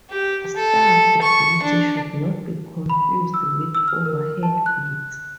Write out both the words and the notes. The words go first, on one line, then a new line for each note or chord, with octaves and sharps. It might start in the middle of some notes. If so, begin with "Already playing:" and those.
Stuffed bits should not be confused with overhead bits.
G4
A4
C#6
D4
B5
E6
E6
F6
A#4
A5
F#6